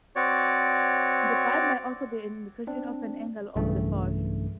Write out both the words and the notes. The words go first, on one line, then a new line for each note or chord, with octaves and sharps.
The bulb may also be an indication of the angle of the force.
C4 F#4 C#5 D5
C4 D4
B1 G2 C#3 E3 A3